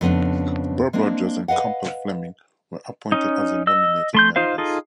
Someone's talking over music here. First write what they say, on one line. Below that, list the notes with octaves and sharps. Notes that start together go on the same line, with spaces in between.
Bob Rogers and Campbell Fleming were appointed as the nominated members.
F2 C#3 B3 C4 D4
G#3 A#3 C4 D4
B4 D#5 F5 F#5
C#4 D#4
D#5 E6
A3 C6 G6
D#4 F4 C5 F5
D#4 F4 G#4 A4